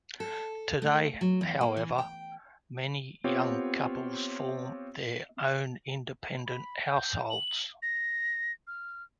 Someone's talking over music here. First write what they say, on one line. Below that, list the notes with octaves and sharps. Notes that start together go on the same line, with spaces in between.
Today, however, many young couples form their own independent households.
A4
A3
F#3
E2
A#3
E3
G5
B3 C4 F4 G4 C#5
B5
G6
F#7
A#6
F6